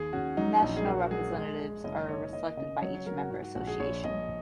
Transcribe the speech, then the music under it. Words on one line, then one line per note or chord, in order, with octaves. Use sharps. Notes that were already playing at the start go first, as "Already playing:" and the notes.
National Representatives are selected by each member association.
Already playing: D#2 G#4
C#4 F#4
F#3 D#4
A#1 D#4
G#4
A#3 F#4
F#4
F#3 G#4
G#3 G#4
G#3 G#4
F#1 D#5
D#3 C#5
A#3 D#5
C#3 D#5
F#3 C#5
C#5
F#3 A#4
F#4
G#2 F#4
F#4
A#1 F#4
G#4
A#1 C#5
A#1 D#5